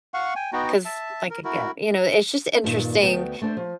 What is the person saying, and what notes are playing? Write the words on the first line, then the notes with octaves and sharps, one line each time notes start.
'Cause, like, again, you know, it's just interesting
F5 F#5 C#6
G5 G#5
B3 D#4 F#4 G5
E5 A5
A#4
E4 F#4 A#4
G2 A#2 D#3 G3 A#3 D#4
D2 A3 B3 F#4 G5
A3 D4 C5
F3